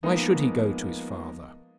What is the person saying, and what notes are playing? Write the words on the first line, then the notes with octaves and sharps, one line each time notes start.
Why should he go to his father?
F3 G#3 A#3 B3 D#4